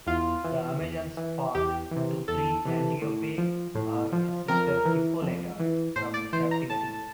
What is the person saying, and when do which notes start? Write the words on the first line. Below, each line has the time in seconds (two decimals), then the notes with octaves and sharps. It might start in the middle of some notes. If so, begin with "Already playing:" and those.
The Amazons fought to free Antiope or her sister Hippolyta from captivity.
0.07 E2 F4
0.44 E3
0.81 E2
1.17 E3
1.55 E2 G4
1.91 C3 E3
2.28 E2 A4
2.65 C3 E3
3.02 A2
3.38 F3
3.75 A2
4.12 F3
4.48 F2 A#4
4.85 E3
5.22 F2
5.60 E3
5.96 A2 C5
6.14 D5
6.33 E3 C5
6.51 A#5
6.70 A2 A5